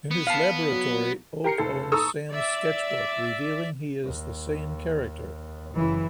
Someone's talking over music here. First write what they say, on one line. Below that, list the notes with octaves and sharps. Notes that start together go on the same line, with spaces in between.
In his laboratory, Oak owns Sam's sketchbook, revealing he is the same character.
B3
F5 A5
F#3
G4 A#4 C7 C#7
F1 A4
A4 A#5 C#6 D#6 E6
D5 E5
D#2
F#1 E3 E4